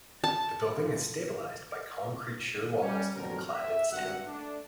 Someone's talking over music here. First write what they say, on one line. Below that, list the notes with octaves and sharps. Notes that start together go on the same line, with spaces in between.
The building is stabilised by concrete shear walls and clad in steel.
A5
G3 C#4
A1 F2 B2 D3 F#3 A#4
E5
G#1 G2 F#4 F#5
A3 D4